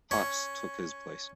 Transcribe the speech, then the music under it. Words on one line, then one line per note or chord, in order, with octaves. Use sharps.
Hasse took his place.
C#4